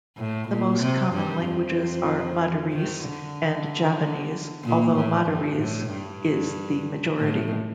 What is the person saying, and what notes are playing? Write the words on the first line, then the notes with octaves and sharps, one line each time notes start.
The most common languages are Madurese and Javanese, although Madurese is the majority.
A2
A#2
C3
G2 G3
F2 F3
D#3
D3
A#2
A2
G2
A2
G2
A2